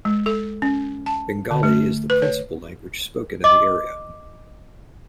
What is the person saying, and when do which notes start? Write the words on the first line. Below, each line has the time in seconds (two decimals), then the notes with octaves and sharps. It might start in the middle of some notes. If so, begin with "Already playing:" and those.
Bengali is the principal language spoken in the area.
0.05 G#3
0.26 A4
0.62 C#4
1.06 A5
1.51 D3
1.63 A3
2.10 B4
2.22 C#5
3.44 D#5 D6